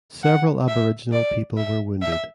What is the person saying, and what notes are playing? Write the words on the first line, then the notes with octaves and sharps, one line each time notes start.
Several Aboriginal people were wounded.
F#5
E5
D5
E5
E5